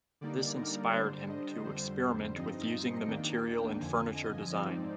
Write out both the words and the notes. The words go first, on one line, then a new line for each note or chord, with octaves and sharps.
This inspired him to experiment with using the material in furniture design.
D3 G3 A#3 D#4 D5
A#4
D3 G3 D4 C5
D#5
F2 D3 G3 C5
G2 F3 C4 D#4 D#5
D#5
D#2 D#3 A#3 D4 G5
F2 D3 F3 G#5
D#5
G#2 F3 C4 D#4 D5